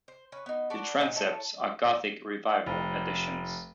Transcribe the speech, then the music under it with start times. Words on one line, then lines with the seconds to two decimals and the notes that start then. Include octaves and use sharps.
The transepts are Gothic Revival additions.
0.08 C5
0.32 C#4 B4
0.46 B3 D#4
0.70 F#4 A4 B4 D5
1.01 A#2 D#4 E5
1.16 E4 A4 C#5
2.66 F1